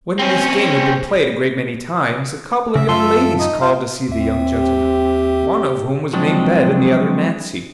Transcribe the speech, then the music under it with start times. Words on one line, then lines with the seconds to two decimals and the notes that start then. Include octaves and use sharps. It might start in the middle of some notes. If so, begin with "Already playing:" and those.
When this game had been played a great many times, a couple of young ladies called to see the young gentleman; one of whom was named Bet, and the other Nancy.
0.19 C4 C#4
2.76 C#3 E5
2.88 F#2 F4 A4 E5 C6
3.39 D#4 D#5
3.61 F4 C5 F5
4.08 D#2 C4 E5
4.51 G4
6.13 F3 F#3 G#3 C4 D4